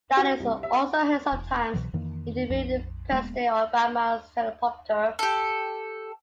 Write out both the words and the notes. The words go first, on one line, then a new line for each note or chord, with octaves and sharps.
Dano is also heard sometimes interviewing President Obama's teleprompter.
F#4
C2
E5
E1
C2 B2 E3 F#3
F2 D#3 E3 A#3
A#1 F2
D#1 G#3 A#3 B3
G4 A4